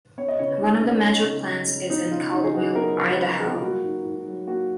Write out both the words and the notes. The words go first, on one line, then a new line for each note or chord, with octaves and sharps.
One of the major plants is in Caldwell, Idaho.
B3 C#5
D#5
C#3 C#5
B4
C#3 D#4
G#3 C#4
B3
C#3
C#3
G#3
B3 D#4
C#3 F4
C#3 D#4
G#4
F#3 F#4
B3 A#4
C#3 B4
C#3 B4
F#3 G#4
F4
A#3 F#4
G#2
G#2
F#3
A#3 F#4